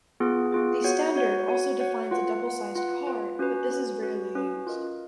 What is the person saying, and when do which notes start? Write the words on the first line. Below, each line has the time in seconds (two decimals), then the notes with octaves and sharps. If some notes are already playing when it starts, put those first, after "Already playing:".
The standard also defines a double-sized card, but this is rarely used.
0.20 B3 F4 G#4
0.52 B3 F4 G#4
0.84 F#4 C#5 F#5
1.16 F#4 C#5 F#5
1.48 F#4 C#5 F#5
1.80 F#4 C#5 F#5
2.11 F4 B4 F#5
2.44 F4 B4 F#5
2.75 F4 B4 F#5
3.07 F4 B4 F#5
3.39 C#4 F#4 B4
3.70 C#4 F#4 B4
4.03 C#4 F#4 B4
4.35 C#4 F#4 B4
4.67 F4 A#4 D#5